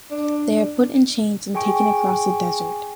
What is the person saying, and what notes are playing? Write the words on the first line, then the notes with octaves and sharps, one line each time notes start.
They are put in chains and taken across a desert.
D4
G#4 G5 G#5 C#6 D7